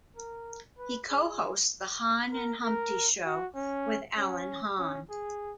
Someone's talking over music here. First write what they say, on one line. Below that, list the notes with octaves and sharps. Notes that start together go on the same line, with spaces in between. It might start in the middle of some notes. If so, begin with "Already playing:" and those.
He co-hosts the "Hahn and Humpty show" with Alan Hahn.
A#4
B4
G#4
A#4
A#4
F#4
C#4
C#4
C#4
G#4